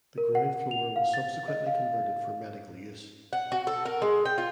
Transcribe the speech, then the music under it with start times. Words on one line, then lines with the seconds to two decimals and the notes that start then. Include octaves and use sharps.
The ground floor was subsequently converted for medical use.
0.18 A#4
0.35 F#5
0.71 F7
0.96 F5
1.14 A6
1.48 D#5
1.66 F5
3.33 F#5
3.52 F#4
3.67 A4
3.86 A#4
4.02 G#3
4.25 G5
4.38 F4